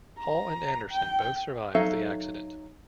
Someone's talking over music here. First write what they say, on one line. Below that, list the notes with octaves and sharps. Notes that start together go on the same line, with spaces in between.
Hall and Anderson both survived the accident.
A#5
G5
F#3 D#4 A4 E5 F5